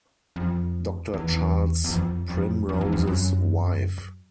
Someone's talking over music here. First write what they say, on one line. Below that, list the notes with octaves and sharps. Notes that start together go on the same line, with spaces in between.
Doctor Charles Primrose's wife.
F2
E2
E2
E2
F2
F2
F2
E2
F2
F#2